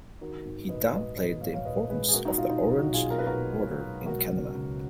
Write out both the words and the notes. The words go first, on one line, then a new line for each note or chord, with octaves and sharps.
He downplayed the importance of the Orange Order in Canada.
D#3 F#4 A#4
G#2
A#1 B4 D#5
G#3 B4 D#5
D#3 B4 D#5
G#2 C#5 F5
C#5 F5
A#1 B4 D#5
G#3 G#4 B4
G#4
A#3 F#4 A#4
D#4 F#4
B2 F4
D#4
B1 F4
D#4 F#4
B1
F4 G#4
A#3 A#4
B4
F#4 A#4
B2
B1
B1
G#3 F#4 A#4
C#3
C#2